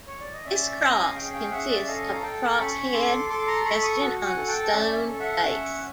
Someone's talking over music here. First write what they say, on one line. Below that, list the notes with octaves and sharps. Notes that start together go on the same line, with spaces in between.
This cross consists of a cross head resting on a stone base.
C#5
D5
D#5
C#4 D5 E5
C#4 D#5 F5
G#4 F5 G5
F5 G5
C#4 E5 F#5
D5 E5
A4 D#5 F5
A#5
A4 G5 A5
C#4 B5 C#6
C#6
A4 C6 D6
A4 C6 D6
A#5 C6
A4 B5 C#6
C#6 D#6
F#4
F#5 G#5
A4
G5 A5
C#4 D5 E5
A4
E5 F#5
F5
C#4 E5 F#5